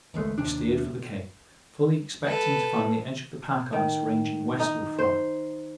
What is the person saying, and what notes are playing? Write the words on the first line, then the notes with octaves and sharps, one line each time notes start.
We steered for the Cape, fully expecting to find the edge of the pack ice ranging westward from it.
G#1 C#2 G#3 A3
D#2 C3 D4
A4 B4
D#3
D#4
C5